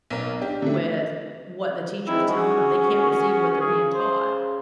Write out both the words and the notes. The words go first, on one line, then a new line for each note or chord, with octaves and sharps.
with what the teacher is telling 'em, they can't receive what they're being taught.
B1 A#4
D4 G4
D3 A3
G#3 C4 D#4 E4
C#4 F#4 G#4
C#3 G#4
C5